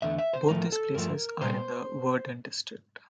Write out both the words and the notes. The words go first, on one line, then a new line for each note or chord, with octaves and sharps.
Both these places are in the Verden district.
E2 D3 A3 E5
E5
C5
A2 F3 A3 A#4
A4
G2 F3 A3 A#4
A#2 G3 C5